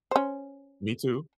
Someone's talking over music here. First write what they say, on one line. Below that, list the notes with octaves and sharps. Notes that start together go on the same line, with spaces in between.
Me too.
C#4 C5